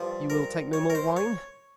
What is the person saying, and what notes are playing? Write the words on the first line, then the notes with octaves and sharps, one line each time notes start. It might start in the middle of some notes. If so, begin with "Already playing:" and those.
"You will take no more wine?"
Already playing: G2 F3
A#4
C#5
A#4
C5
C#5